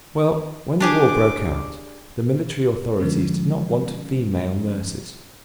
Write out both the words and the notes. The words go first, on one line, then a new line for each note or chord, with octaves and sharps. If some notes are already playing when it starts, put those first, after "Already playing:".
Well, when the war broke out the military authorities did not want female nurses.
D4 G4 G#4 D6
D3 F3 G#3 B3 C#4 D#4